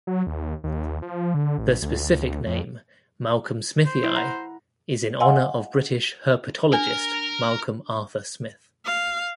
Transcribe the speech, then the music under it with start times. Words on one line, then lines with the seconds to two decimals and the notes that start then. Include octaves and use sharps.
The specific name, "malcolmsmithi", is in honor of British herpetologist Malcolm Arthur Smith.
0.07 F#3
0.27 D#2
0.64 D#2
1.02 F3
1.34 D3
1.58 A1
1.82 D2
2.46 F2
3.86 C5
4.04 E4
4.16 F#5 A#5
5.20 D#5 F5 F#5 G#5 C6 E6
6.73 D4 A#4
8.86 F5